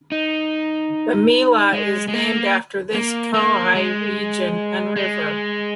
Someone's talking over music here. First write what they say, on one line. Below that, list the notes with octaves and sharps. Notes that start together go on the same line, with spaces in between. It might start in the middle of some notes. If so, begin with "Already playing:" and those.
The Mela is named after this Khoai region and River.
D#4
G#3
G#3
A#3
A#3
A#3
G#3
G#3